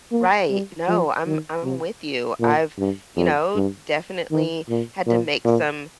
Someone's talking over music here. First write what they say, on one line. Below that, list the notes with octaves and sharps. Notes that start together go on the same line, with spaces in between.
Right, no, I'm I'm with you, I've, you know, d definitely had to make some
A#3
G3
F3
D#3
C3
A#2
G2
F2
G2
D#3
A#2
A#2
A#2